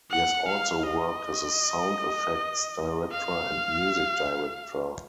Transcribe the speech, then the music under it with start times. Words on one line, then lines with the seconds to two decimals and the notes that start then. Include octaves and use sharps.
He has also worked as a sound effects director and music director.
0.11 F#5
0.49 F5
0.86 D#5
3.12 F5